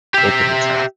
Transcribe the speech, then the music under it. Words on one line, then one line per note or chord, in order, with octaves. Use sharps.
Open the trap.
G4 E5